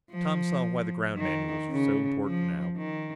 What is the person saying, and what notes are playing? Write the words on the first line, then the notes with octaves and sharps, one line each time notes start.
Tom saw why the ground manuals were so important now.
F3
D#3
C#3
F3
D#3